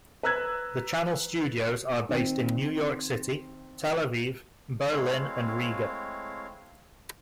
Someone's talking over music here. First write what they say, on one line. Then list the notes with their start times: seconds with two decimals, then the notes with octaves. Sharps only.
The channel studios are based in New York City, Tel-Aviv, Berlin and Riga.
0.23 B4 A#5 E6 F#6 G#6
2.09 D#3 C4
4.91 G#3 A3 C4 E4 C#5 F5